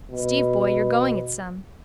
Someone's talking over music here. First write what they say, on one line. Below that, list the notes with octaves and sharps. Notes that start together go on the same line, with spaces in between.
Steve boy, you're going it some.
B2